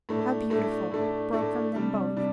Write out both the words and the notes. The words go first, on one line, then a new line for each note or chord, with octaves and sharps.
'How beautiful!' broke from them both.
A2 A3 D4
A2 A3 D4
A2 A3 D4
A2 A3 D4
C3 G3 D4
C3 G3 D4